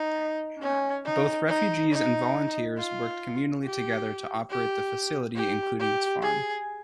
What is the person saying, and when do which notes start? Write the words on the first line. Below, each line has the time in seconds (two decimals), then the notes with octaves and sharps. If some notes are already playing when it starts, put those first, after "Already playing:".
Both refugees and volunteers worked communally together to operate the facility, including its farm.
Already playing: D#4
0.62 C#4
1.05 D#4
1.48 D#4
1.91 D#4
2.77 F4
3.64 G4
4.50 G4
5.36 G4
5.79 G4
6.22 G#4